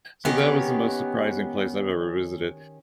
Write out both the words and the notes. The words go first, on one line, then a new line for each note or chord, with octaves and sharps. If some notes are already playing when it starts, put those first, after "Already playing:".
So that was the most surprising place I've ever visited.
D#3 B3 C#4 G4